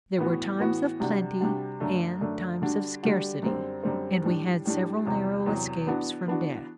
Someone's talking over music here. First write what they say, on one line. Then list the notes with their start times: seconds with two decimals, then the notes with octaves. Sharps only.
There were times of plenty and times of scarcity, and we had several narrow escapes from death.
0.18 A2 E3 B3 F#4
0.59 A2 E3 B3 F#4
1.00 C3 G3 D4 F#4
1.41 C3 G3 D4 F#4
1.80 F#2 D3 A3 D4
2.21 F#2 D3 A3 D4
2.62 D3 G3 D4 F#4
3.03 D3 G3 D4 F#4
3.43 F#2 D3 G3 C4
3.84 F#2 D3 G3 C4
4.24 A2 G3 D4
4.65 A2 G3 D4
5.05 E2 C3 F#3
5.46 E2 C3 F#3
5.87 E3 B3 D4 F#4
6.27 E3 B3 D4 F#4